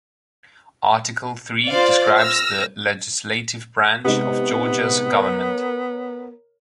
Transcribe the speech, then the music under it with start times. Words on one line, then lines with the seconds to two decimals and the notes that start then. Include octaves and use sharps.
Article Three describes the Legislative Branch of Georgia's government.
1.69 F4 C5 D5 F5
2.19 E6 F6 A#6
4.05 C3 G#3 B3 D#4
5.12 A#4 C#5